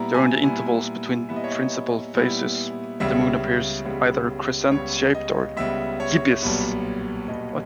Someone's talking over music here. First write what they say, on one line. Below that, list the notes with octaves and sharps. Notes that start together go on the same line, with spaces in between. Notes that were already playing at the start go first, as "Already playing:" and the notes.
During the intervals between principal phases, the Moon appears either crescent-shaped or gibbous.
Already playing: A#2 G3 B3 E4 A#5
G#5
A#2 G3 B3 E4 G#5
A#2 G3 B3 E4 E5
D#5
C#5
D#5
A#2 G3 B3 E4
C#2 C#3 G3 B3 E5
C#2 C#3 G3 B3
C#2 C#3 G3 B3 C#5
D#5
C#2 C#3 G3 B3 E5
C#5
B1 A#2 G3 B3
B1 A#2 G3 B3 D#5